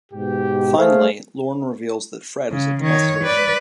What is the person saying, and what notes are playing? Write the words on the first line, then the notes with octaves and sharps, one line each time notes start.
Finally, Lorne reveals that Fred is at the bus station.
G#2 B2 G4
A3 G#4 C5 F5
C#3
D#3 C#5
B4 D5